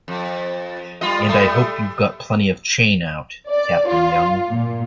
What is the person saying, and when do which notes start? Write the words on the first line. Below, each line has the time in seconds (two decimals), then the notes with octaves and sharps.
And I hope you've got plenty of chain out, Captain Young.
0.08 F2
1.01 G3 F4 D#5
1.28 G3 A3
3.50 D5
3.88 F4
4.50 A#2